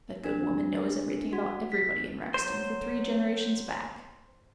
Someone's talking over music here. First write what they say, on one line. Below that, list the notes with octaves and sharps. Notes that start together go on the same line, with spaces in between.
That good woman knows everything about everybody in Rexton for three generations back.
D4
F#4
B6
F#3 C5